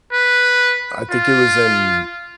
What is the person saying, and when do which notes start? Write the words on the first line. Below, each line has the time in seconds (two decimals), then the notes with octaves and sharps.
I think it was in
0.12 B4
1.11 F4